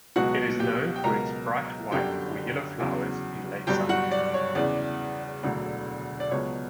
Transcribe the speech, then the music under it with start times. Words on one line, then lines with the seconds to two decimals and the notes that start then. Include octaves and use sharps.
It is known for its bright white or yellow flowers in late summer.
0.16 C#2 B2 F#3 F#4 F#5
0.59 G4 G5
0.96 G5
1.04 C#2 B2 F#3 A#4 A#5
1.91 G1 F#2 D3 F#3 G4 G5
2.79 E2 C#3 F#3
3.67 G1 G2 F#3 G4 G5
3.89 F#4 F#5
4.11 D5
4.34 C#5
4.55 E2 C#3 E3 D5
5.43 E1 D2 D3 F#3
6.20 D5
6.31 C#2 B2 F#3 C#5